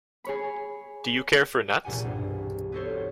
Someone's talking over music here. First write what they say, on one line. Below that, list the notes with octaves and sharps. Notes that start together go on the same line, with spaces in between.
Do you care for nuts?
G#4 C#5 B5
E1 C2 A#2 G4 F#5 G#5
C2 G2
B3 E4 F#4 A4 C5 C#5